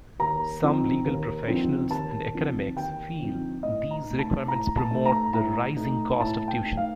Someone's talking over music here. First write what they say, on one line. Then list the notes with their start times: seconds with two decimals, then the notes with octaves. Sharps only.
Some legal professionals and academics feel these requirements promote the rising cost of tuition.
0.19 D#2 A#5
0.62 D3 F3 C4 D#4
1.05 D#2
1.48 D3 F3 C4 D#4
1.90 D#2 A5
2.34 D3 F3 C4 D#4
2.77 D#2 G5
3.20 D3 F3 C4 D#4
3.63 A2 D#5
3.91 A#5
4.05 D#4
4.10 A3
4.19 A5
4.48 A2 A#5
4.77 A5
4.91 A3 D#4
5.06 A#5
5.34 A2 A#5
5.77 A3 D#4
6.20 A2 A5
6.48 G5
6.63 A3 D#4
6.77 F5